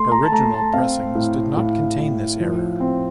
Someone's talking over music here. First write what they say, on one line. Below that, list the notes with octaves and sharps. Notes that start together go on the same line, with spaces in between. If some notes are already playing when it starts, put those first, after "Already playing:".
Original pressings did not contain this error.
Already playing: A3 C6
A#5
A5
A3 A#5
A5
C4 F5
A2
A2
A2
F3
C4